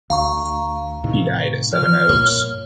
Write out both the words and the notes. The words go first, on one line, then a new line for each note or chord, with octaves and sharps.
He died at Sevenoaks.
D2 F5 A#5 C#6
A2 C3 D#3
F3 F6
G2 A#2 A#3 C#5